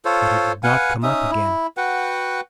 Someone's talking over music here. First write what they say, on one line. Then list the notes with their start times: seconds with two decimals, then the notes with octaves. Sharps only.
But it did not come up again.
0.05 F4 A4 C5 C#5
0.63 B4 F5 F#5 G#5
1.03 C#4 D#4 E5 D#6
1.31 E4
1.77 F#4 B4 F#5 G5